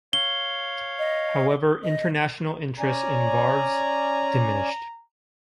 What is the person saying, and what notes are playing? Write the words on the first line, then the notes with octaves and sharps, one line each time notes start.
However, international interest in varves diminished.
C#5 F5 G7
D#5
D#5
C#4 D5 G#5 A#5